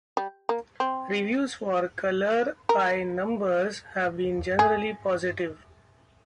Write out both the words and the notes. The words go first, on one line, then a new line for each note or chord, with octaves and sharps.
Reviews for "Colour by Numbers" have been generally positive.
G3
A#3
C4
A#4
G#4